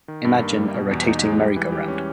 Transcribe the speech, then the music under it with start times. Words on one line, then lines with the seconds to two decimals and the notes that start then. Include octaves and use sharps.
Imagine a rotating merry-go-round.
0.08 D#3
0.25 G2
0.41 A#3
0.58 G3
0.74 B2
0.91 E2
1.07 D#4
1.23 G#3
1.40 G3
1.56 E3
1.72 G4
1.88 C#4